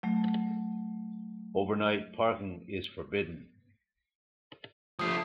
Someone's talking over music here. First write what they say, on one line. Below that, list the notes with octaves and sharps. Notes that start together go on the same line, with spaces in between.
Overnight parking is forbidden.
F#3 A3
F3 A3 D#6 C7